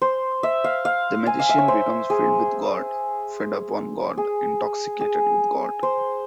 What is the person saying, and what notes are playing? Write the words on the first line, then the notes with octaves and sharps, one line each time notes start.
The magician becomes filled with God, fed upon God, intoxicated with God.
C5
E5
F5
F5
G#5
F5
E5
C#5
C5
G#4
G#4
G#4
C5